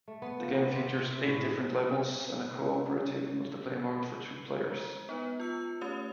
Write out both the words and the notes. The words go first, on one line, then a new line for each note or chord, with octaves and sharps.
The game features eight different levels and a cooperative multiplayer mode for two players.
A3
B3
F3
B3
C3
G5
E5
A2
G#4
C#4
G#3
B3 D#4 B4
F4 E6 C#7
A3 C#4 G4 C#5 D#6 F7